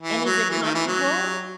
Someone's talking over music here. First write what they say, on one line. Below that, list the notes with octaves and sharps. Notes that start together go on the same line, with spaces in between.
And is it comfortable?
E3
F#3
E3
D#3
E3
F#3